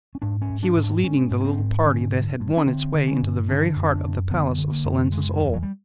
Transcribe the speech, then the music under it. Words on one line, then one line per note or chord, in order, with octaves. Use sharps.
He was leading the little party that had won its way into the very heart of the palace of Salensus Oll.
C#4
G#2 D4
C#4
G#2
D4
G#2 C#4
D4
G#2 C#4
G#2
C#4
C4
G#2
D3 C#4
G2
G2
C#4
D3 C4
D3
C#4
G2
D3 D4
F#2
C#4
D4
F#2
D3 B3
D3
A#3
F#2
A3
C#3 G#3
E2
F#3
G3